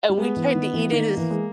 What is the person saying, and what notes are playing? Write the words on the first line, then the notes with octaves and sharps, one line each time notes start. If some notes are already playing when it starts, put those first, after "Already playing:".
And we tried to eat it as
G3
G#3 B3
E3
D#3
E3
D#3 A#3
E3
G#3